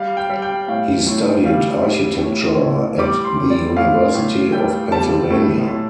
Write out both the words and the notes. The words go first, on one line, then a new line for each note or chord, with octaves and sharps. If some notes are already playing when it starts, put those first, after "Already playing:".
He studied architecture at the University of Pennsylvania.
Already playing: G3 F5
G5
G3
G5
A2 F5
A2
G3 F5
G3
A2
A2
G3 D6
C6
G3
D5
A2 F5
A2
G3 G5
G3 A5
A2
A2